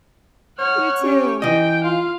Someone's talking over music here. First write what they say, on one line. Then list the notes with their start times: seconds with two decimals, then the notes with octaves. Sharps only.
You too.
0.59 C#5 F#5 F6
1.02 C#4 G4
1.42 E3 D#5 G5
1.84 F4 F5